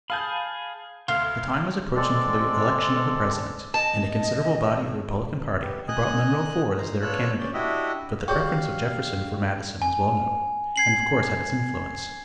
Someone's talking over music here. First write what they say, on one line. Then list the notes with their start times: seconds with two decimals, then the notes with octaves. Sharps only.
The time was approaching for the election of a president, and a considerable body of the Republican party had brought Monroe forward as their candidate, but the preference of Jefferson for Madison was well known and of course had its influence.
0.10 G#4 F5 A5 B5 G6
1.08 D2 F5 C6
1.96 G#3 C4 A4 D5
3.74 D#5 A5
5.62 B3 G4
5.88 D#5 G#5 D#6 F#6
6.78 C5 A#5
7.01 B3 D4 F4 C#5 E6 F#6
7.39 C#4 D5 G6
7.54 D4 E4 F#4 G4 D#5 E5
8.28 G3 F#4 G#4 C#5 F5 G5 C#6
9.82 G#5
10.76 G#6 C7 F#7